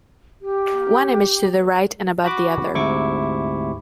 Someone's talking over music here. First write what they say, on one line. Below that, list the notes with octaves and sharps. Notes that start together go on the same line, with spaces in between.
One image to the right and above the other.
G4
F#4 B5 D6
D2 G#2 C3 E4 C#6 D6